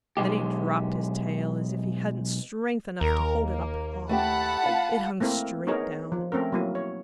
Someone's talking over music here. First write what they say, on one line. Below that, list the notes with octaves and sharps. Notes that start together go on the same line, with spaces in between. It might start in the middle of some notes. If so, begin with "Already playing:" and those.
Then he dropped his tail as if he hadn't strength enough to hold it up at all. It hung straight down.
B1 G#3 G4
D#2 A#4
A#3
A3 E4 G4 F#5 A5 B5
F4 F5
A3 A#3 C4 E4 A#4
B3 D#4 G#4 A#4 C#5
F3
A3 C4 C#4 A#4
F#3 A#3 E4
C#5